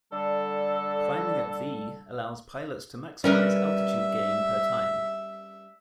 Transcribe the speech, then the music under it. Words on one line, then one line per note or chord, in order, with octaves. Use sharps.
Climbing at V allows pilots to maximize altitude gain per time.
D3 G3 A4
G3 C#4 A#4 B4 E5